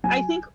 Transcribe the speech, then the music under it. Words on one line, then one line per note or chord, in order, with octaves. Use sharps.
I think
F#3 G#5